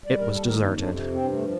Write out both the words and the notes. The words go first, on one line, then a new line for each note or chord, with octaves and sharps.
It was deserted.
G3 D5
A#4
D#2 A4
A#4
F2 D#4
D4
C3
G2 C4
A3
F3